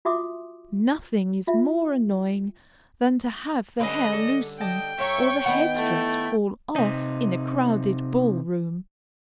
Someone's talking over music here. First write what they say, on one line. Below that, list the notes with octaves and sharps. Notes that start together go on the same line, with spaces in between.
Nothing is more annoying than to have the hair loosen or the head-dress fall off in a crowded ball room.
F4 F#4 E5 C6 D6 D#6
F4 E5
D3 G3 C#4 B4 D#5
A4 D5
D5 D#5 G5 A5
G2 C#5 E5 F5 A#5 C#6
D#3 B3 D#4 F#5
A3 E4
C3 D#4